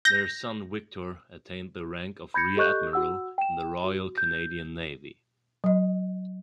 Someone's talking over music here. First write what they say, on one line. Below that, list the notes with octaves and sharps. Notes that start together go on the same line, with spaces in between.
Their son, Victor, attained the rank of Rear Admiral in the Royal Canadian Navy.
G6 A#6
B5 G6 G#6 A#6 C#7
G4 A4 D#5 C#6 F#6 G6
F#4 F#5 E6
G5 E7
F#4
G6
F#3 D#5